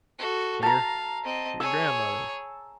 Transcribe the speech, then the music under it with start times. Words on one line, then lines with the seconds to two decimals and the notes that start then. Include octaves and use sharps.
"Dear," your grandmother.
0.19 F#4 A4
0.63 F5 A5 A#5
1.24 C4 D#5
1.60 G#4 C#5 E6